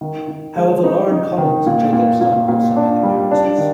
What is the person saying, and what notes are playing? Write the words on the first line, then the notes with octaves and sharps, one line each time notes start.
However, Lauren Collins and Jake Epstein also make appearances.
D#3
D#3
G#3
D#4
D#4
D#3
A#2
A#2
A#2
A#2
D4
G3
D4
D#3